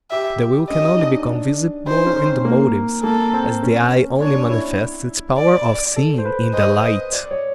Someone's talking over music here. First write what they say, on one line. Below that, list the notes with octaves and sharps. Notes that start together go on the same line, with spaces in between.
The will can only become visible in the motives, as the eye only manifests its power of seeing in the light.
G4 E5
C#4 D#5
D#4
D4
D4
D#4 C5
C#4
C4
A#3
A#3 A4
C4
C#4
D4 C#5
E4
D5
A4
C5
B4
C5 D#5
D5
C#5